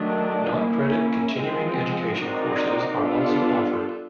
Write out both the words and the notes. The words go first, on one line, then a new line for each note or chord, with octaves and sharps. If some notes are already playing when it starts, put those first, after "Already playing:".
Non-credit continuing education courses are also offered.
Already playing: D#3 F#3 A3 D4
A#3 C#4 E4
F3 G#3 C4
C4 D#4 F#4 A#4 D5
G3 B3 D4 F4 A4